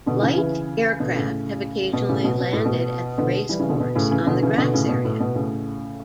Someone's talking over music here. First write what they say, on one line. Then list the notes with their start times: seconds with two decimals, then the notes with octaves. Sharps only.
Light aircraft have occasionally landed at the racecourse on the grass area.
0.06 B2 D3
0.22 C#3 E3
0.38 C#3 E3
0.99 B2 D3
1.15 A2 C#3
1.93 B2
2.09 A2 C#3
2.24 B2
2.40 B2
2.53 A2
2.66 B2
3.18 B2 D3
3.49 E3 G3
3.59 C#3 E3
3.69 B2 D3
3.80 B2
3.95 A2 C#3
4.11 C#3 E3
4.21 C#3
4.27 B2 D3
4.42 C#3 E3
4.57 B2 D3
4.73 A2 C#3
4.89 B2
5.05 A2
5.20 B2
5.35 A2 C#3